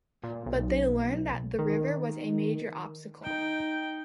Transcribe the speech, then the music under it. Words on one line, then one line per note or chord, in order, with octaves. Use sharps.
But they learned that the river was a major obstacle.
A#2
B1
D#3
D#4 G5